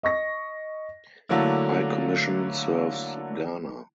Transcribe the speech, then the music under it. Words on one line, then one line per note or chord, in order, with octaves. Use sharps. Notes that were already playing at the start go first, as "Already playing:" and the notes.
High Commission serves Ghana.
D#5 C#6 A#6
D3 F#3 A3 A#3 D4 E4